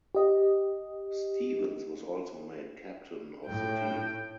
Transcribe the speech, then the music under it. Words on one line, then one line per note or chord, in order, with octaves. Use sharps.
Stevens was also made captain of the team.
G4 D#5
A2 G5